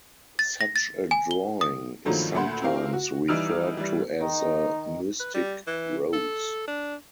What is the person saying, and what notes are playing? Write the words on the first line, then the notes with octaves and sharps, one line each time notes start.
Such a drawing is sometimes referred to as a mystic rose.
A6
A#6
A6
G#5
G7
D#6
G2 D#3 F3 F#3 A3 A#3
D2 A#2 F#5 B5 C6
C4 E4 G4 A#4 F5
F#4
E3 G3 D#4 E6 F6 D7
E3 G3
D#3 D#4
B4
G3
E3
A4
D4